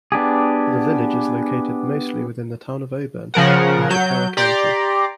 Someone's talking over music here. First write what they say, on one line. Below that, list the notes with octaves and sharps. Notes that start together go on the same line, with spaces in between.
The village is located mostly within the Town of Auburn in Chippewa County.
B3 D4 G4 G#4
C#3 F3 A#4 F#5
F#3 G6
G4 D5 A#5 C6 D6